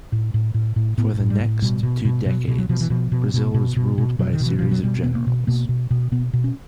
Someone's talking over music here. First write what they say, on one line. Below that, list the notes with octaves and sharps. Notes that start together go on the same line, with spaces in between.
For the next two decades, Brazil was ruled by a series of generals.
A2
A2
A2
A2
A2 B3
A2
G3
A2
B2 G3
B2
B2
B2 F#3
B2
F#3
B2 F3
E3
B2 F3
B2
B2
B2
B2
B2
B2 F#3
D#3
B2
E3
B2 F3
F#3
B2 G3
B2 B3
A#3
B2
B2 A#3
B2
B2
B2 B3
B2
C#4